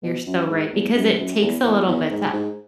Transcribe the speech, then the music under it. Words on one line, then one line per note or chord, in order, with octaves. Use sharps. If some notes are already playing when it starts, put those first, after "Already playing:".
You're so right, because it takes a little bit to
B2
F#2
G#2
E2
F#2
F#2
E2
E2
E2
G#2
G#2